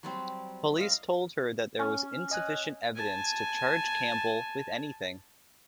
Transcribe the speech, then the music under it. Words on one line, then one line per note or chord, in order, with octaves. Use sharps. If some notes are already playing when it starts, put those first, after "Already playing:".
Police told her that there was insufficient evidence to charge Campbell with anything.
F#3 G3 C4
D#5 F5
C#4
D#5 G#5 F#6
G#5 A5